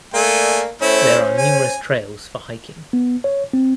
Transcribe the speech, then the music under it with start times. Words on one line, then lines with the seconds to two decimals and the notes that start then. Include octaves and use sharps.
There are numerous trails for hiking.
0.14 A3 A#3 D5 G#5
0.82 A3 C#4 E4 C5
1.38 G#5
2.93 B3
3.24 C#5
3.53 C4